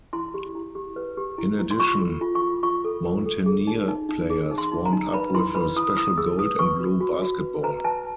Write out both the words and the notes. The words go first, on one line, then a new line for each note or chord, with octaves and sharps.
In addition, Mountaineer players warmed up with a special gold and blue basketball.
E4 C6
G4
E4
G4
B4
G4
E4
E4
C6
F4 C#6
A4
F4
C#6
F4
F4 C#6
A4
F4
A4
G#4
D#4
D#4
D#4
G#4
D#4
C6
D#4
A#5
D#4
B4 B5
E4 C6
B4 B5
E4 D#6
E4 D#6
G#4 E6
B4 D#6
B4 C#6
F#4
F#4
F#4
B4
B4 A#5
B4 A5